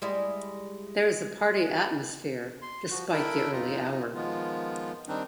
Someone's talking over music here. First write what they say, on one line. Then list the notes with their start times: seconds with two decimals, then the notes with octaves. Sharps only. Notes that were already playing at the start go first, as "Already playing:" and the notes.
There is a party atmosphere, despite the early hour.
0.02 G3 G#3 E4
2.62 C6
2.90 F3 F#4
3.13 D4 E4 A4 A#4 G5 B5
3.52 F2 D#4 F4 D#5
4.15 D#3 F3 G#3 B3 F4
5.08 D#3 G3 C4 D4 D#4